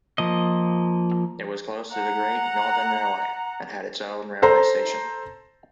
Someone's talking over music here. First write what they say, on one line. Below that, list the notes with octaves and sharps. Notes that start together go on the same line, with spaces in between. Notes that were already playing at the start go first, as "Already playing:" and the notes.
It was close to the Great Northern Railway and had its own railway station.
F3 A#3 D#5
F#5 A#5
A4 C5 A#5